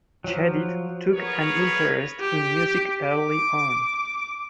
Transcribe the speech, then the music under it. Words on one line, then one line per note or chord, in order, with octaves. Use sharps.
Chedid took an interest in music early on.
F3 F#3
B3 G#4 A#4 B4 C#5
G4
D6